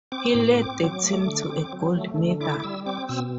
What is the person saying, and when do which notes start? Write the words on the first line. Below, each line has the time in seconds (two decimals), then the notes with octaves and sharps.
He led the team to a gold medal.
0.12 C4 D6
0.34 A2
0.57 C4
0.80 F#3
1.04 A3
1.26 D3
1.49 C4
1.73 F#3
1.95 A3
2.18 D3
2.41 E4 D6
2.60 D6
2.64 G3 E6
2.86 C4 D6
3.09 B2 E6